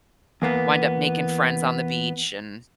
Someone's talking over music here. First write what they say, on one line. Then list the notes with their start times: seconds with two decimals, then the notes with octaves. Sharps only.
wind up making friends on the beach, and
0.42 E2 A#3 B3